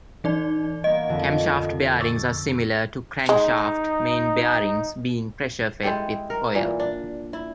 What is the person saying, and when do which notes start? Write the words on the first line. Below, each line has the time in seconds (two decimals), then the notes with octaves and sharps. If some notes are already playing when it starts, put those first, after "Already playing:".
Camshaft bearings are similar to crankshaft main bearings, being pressure-fed with oil.
0.24 E3 D#4 D5
0.84 A#3 B3 D#5
1.09 F2 D3
2.00 C#6 D6 E6 A6
3.29 G#3 D#4
5.83 G#3 E4 G4 A4
6.30 A#4
6.55 A#2 E3
6.80 D4
7.33 E4